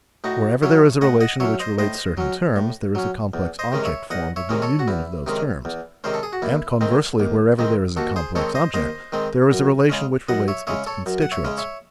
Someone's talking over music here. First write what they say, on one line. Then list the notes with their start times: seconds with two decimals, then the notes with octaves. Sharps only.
Wherever there is a relation which relates certain terms, there is a complex object formed of the union of those terms; and conversely, wherever there is a complex object, there is a relation which relates its constituents.
0.24 A2 D#4 F#4
0.63 F#3 C#4 C#5 E5
1.01 A2 D#5 F#5
1.21 D#5 F#5
1.40 F#3 C#4 C#5 E5
1.60 C5 D#5
1.79 A2 C5 D#5
2.18 F#3 C#4
2.56 A2
2.95 F#3 C#4
3.34 E2
3.59 C5 D#5
3.72 C3 D#3 G#3 C#4
3.85 C#5 E5
4.10 E2 D#5 F#5
4.36 C#5 E5
4.49 C3 D#3 G#3 C#4
4.62 A4 C#5
4.79 F#4
4.88 E2 E4
5.27 C3 D#3 G#3 C#4
5.65 E2
6.04 C3 D#3 G#3 C#4 C5
6.14 A4
6.23 G#4
6.33 F#4
6.42 D#2 E4
6.81 D#3 G#3 C4
7.20 D#2
7.59 D#3 G#3 C4
7.97 D#2 F#4 A4
8.16 G#4 C5
8.35 D#3 G#3 C4 A4 C#5
8.55 C5 D#5
8.74 D#2 C5 D#5
9.12 D#3 G#3 C4
9.51 F#2
9.89 C#3 G#3 C#4
10.28 F#2 D#5 F#5
10.48 C#5 E5
10.67 C#3 G#3 C#4 C#5 E5
10.87 A4 C#5
11.06 F#2
11.22 F#5
11.32 C#5 E5
11.44 C#3 G#3 C#4
11.58 C#5 E5